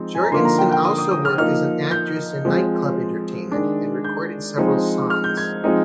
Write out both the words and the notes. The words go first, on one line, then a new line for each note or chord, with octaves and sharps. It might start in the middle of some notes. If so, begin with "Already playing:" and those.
Jorgensen also worked as an actress and nightclub entertainer and recorded several songs.
Already playing: F3 G#3 C4 D#4
G#5
A#5
D3 F3 A#3 D#4 C6
A#5
G5
G5
D#6
D#6
D#6
F6
F3 A#3 D#4 F6
G6
F3 G#3 C4
D#3 G#3 D4
G6
F3 G#3 C4 D#4
F6
G6
G#6
F3 G#3 C4 D#4